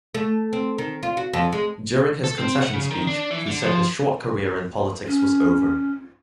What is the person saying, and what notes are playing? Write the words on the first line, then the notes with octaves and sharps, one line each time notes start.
During his concession speech, he said his short career in politics was over.
A3
C4
D#3
F4
F#4
F2
G#3
A4
C4
F#5
C#3
D#3
D4
E3
D3
F3
C#4